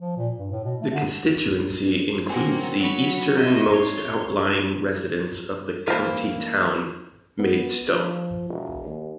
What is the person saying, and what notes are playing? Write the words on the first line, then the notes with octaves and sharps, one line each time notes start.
The constituency includes the easternmost outlying residents of the county town, Maidstone.
F3
A#2
G2
A2
B2
A3
D3
F#3 A#3 C4 F#5 G#5
F#3 F#4 C#5 B5
C4 D#5 E5
C#5 C6
E3 A#3 F4 B4 C5
B3
F3
E1
D#2